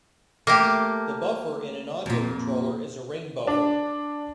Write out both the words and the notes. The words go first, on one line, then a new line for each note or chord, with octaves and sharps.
The buffer in an audio controller is a ring buffer.
A3 A#3 G4
F2 A#2
D4